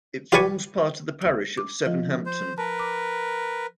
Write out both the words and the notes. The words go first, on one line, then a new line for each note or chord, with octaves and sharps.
It forms part of the parish of Sevenhampton.
F4 G4 B4 D5 G#5 C#6
D6
F3 F4 D#5
C5
A#4 B4 A5
D6